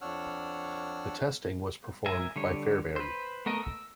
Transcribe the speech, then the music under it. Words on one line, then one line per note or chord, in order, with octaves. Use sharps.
The testing was performed by Fairbairn.
F2 D4 C#5 F#5 E6 F6
A#4 E5 G#5
D3 G3 C#5
B4 C5
A3 B3 A#4 D#5
E6